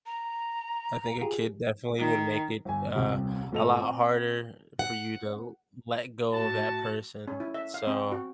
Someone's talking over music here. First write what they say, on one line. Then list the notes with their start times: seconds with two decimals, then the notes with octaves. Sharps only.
I think a kid definitely would make it, uh, a lot harder for you to let go of that person, so,
0.06 A#5
1.21 F4 G4 G#4
1.99 D#3
2.65 G1 G#5
2.95 D#1 C2 C3
3.52 G#1 A3 F4 A4 D#5 F7
3.80 C4
4.79 F#5
6.33 A2 F#4 A5
7.27 C#4
7.40 E4
7.54 E5
7.74 F5
7.87 C4
8.12 F#4